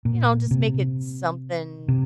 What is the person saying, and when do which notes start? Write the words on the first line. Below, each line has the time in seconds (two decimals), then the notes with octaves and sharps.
you know, just make it something.
0.05 A#2
0.51 C3
1.88 C3